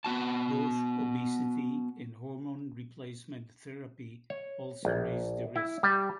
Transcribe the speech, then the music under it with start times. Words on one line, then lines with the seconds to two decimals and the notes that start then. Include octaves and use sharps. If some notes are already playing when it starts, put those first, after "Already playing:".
Both obesity and hormone replacement therapy also raise the risk.
0.04 B3 F#4 A5
4.30 C#5
4.85 A#1
5.56 E4
5.83 G3